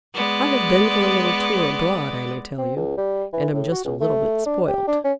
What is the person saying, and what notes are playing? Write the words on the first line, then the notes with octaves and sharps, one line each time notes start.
I have been for a little tour abroad, I may tell you, and am just a little bit spoilt.
G#3 B3 D5
C4
C#2
G3
E3
A2
F#4
C#2
A3
D4
G4
D4
C#4